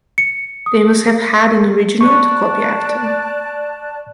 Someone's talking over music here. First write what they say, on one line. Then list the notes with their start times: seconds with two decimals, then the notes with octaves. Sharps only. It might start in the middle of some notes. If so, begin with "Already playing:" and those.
They must have had an original to copy after.
0.18 C#7
0.66 D#6
2.01 D5 A5 C#6 F#6